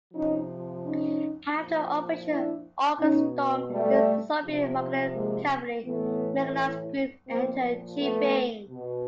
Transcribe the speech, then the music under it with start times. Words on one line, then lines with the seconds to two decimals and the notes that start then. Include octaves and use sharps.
After Operation August Storm, the Soviet-Mongolian Cavalry-Mechanized Group entered Chifeng.
0.13 C3 F3 C#4 D#4
0.84 C#4 D#4
1.57 A#2 F3
2.27 D4 E4
2.99 B2 C#4 D#4
3.70 G3 A3
4.42 C3 F3
5.13 G#3 A#3
5.84 A2 E3 A3 B3
7.27 A#2 F3 A#3 C4
7.98 A3 B3
8.69 B2